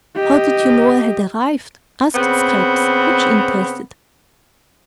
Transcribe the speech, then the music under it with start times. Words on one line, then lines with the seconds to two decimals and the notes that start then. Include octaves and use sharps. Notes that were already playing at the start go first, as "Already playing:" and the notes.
"How did you know I had arrived?" asked Scraps, much interested.
0.16 G4 D#5
2.15 C#3 B3 C4